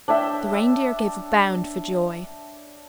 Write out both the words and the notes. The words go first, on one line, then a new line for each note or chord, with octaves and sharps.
The Reindeer gave a bound for joy.
D4 C#5 E5 G5